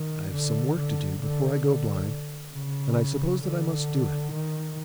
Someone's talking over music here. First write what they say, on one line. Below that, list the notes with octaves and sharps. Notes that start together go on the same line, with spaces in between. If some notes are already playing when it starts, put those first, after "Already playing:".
I have some work to do before I go blind, and I suppose that I must do it.
Already playing: D#3
D3
D3
D3
D3
C#3
D3
D#3